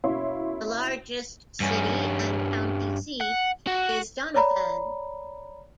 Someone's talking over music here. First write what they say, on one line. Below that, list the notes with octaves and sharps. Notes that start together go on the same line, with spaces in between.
The largest city and county seat is Doniphan.
B2 A#3 C#4 E4 C#5 C6
G2 C#4
F#5
F#4
C#5 D5 A#5 B5